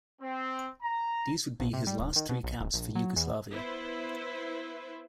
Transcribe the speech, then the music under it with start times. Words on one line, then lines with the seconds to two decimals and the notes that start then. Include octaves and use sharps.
These would be his last three caps for Yugoslavia.
0.22 C4
0.82 A#5
1.60 A#1
1.73 C3
1.87 G3
1.99 D1
2.16 D#3
2.29 B2
2.43 B1
2.61 D1
2.74 A#1
2.95 F#3
3.16 E2
3.51 B3 E4 B4 C5